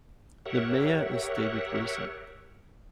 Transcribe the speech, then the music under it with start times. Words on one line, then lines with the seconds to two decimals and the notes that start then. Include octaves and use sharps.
The mayor is David Willson.
0.46 G4 A#4 C#5 E5 F#5